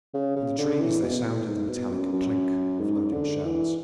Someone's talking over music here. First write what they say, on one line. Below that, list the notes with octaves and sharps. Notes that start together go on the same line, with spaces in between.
In the trees there sounded the metallic clink of loading shells.
C#3
C#3
D3
E3
B2
A2
G#2
B2
F#2
F#2
G#2
D3
E3